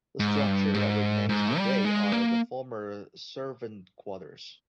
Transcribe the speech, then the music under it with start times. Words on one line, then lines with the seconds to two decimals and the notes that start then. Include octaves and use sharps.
The structure that remains today are the former servant quarters.
0.20 G#2
0.47 G2
0.74 G#2
1.29 G#2
1.57 G3
1.85 G#3
2.12 A#3